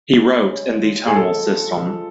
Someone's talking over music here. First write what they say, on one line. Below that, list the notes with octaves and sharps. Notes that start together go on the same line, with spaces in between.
He wrote in the tonal system.
G#3
C#4
C#3
F4
G#3
G#3
G#4
G#3 A4
F3
F4
F3
F3